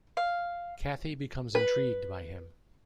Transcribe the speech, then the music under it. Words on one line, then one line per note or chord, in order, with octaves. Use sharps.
Cathy becomes intrigued by him.
F5
B4